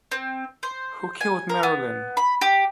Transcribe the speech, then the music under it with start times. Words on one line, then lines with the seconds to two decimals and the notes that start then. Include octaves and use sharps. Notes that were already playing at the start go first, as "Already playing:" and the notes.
Who Killed Marilyn?
0.11 C4
0.63 C5
1.21 G#5
1.49 A#4
1.63 B3
2.17 B5
2.41 G4